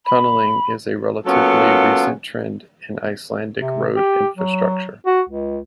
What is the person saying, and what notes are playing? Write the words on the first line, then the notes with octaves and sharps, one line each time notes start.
Tunneling is a relatively recent trend in Icelandic road infrastructure.
B5
F#3 A#3 B3 C#4 F4 A4
C3
G4
F#3
F#4
C#2